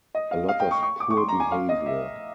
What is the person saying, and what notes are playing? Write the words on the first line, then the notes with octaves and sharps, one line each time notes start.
A lot of poor behavior.
D#5
F5
F5
G5
C#6
C#6
D6
C#6
C6
A#5
G#5
F5
D#5
E5